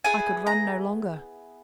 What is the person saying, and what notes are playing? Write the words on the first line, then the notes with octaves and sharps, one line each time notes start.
I could run no longer.
B3 E4 G#4 G#5
A#5